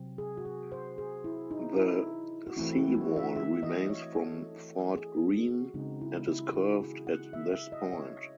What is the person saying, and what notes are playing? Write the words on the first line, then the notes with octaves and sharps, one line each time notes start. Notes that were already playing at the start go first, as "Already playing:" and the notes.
The seawall remains from Fort Greene and is curved at this point.
Already playing: C3 F#3 C4
G#4
F#4
G#4
C5
G#4
E4
D#4
E4
F#4
E3 A3 C4 E4
E4
F#4
E5
E5
D#5
C#5
A4
G#4
F#4
C#3 G#3 C4 D#4
E4
E4
F#4
G#4
F#5
E5
E5
D#5
C#5